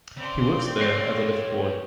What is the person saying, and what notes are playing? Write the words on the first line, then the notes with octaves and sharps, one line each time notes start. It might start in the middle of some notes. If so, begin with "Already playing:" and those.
He works there as a lift-boy.
C#3 C4 D5 C6
G4 C#5 F5 A#6 C7 D7